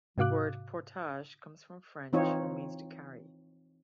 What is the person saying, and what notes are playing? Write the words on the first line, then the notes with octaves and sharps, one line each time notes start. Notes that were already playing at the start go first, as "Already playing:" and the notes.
The word "portage" comes from French and means "to carry".
G#2 C3 F#4 F5 D6 F#6
E3 C4 D#4 F4 C#5